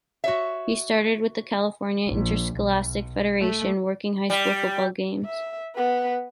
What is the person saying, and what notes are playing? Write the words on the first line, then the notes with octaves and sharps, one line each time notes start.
He started with the California Interscholastic Federation, working high school football games.
F#4 C#5 E5
A#1
B1
A3
G3
E5
B3 B4